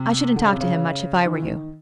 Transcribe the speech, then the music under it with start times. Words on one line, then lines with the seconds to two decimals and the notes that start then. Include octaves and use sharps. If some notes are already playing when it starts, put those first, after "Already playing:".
I shouldn't talk to him much if I were you.
Already playing: C3
0.36 D3
0.44 C#3
0.52 C3
0.61 C#3
1.25 D#3
1.35 E3
1.42 D#3